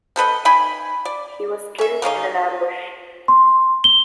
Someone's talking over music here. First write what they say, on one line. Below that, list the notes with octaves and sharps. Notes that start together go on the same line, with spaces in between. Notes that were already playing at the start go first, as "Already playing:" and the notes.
He was killed in an ambush.
C4 A4 B4 D#5
D#4 G5 G#5 B5
D5
C#4 E5
C#3 A#3 C#4 D#4
C6
G7